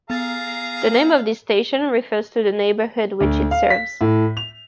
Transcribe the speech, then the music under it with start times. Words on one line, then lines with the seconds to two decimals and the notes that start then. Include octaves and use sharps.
The name of this station refers to the neighbourhood which it serves.
0.10 B3 G#4 F5 A#5 A6
3.21 D2
3.51 F5
3.70 B6
4.01 A2
4.37 F7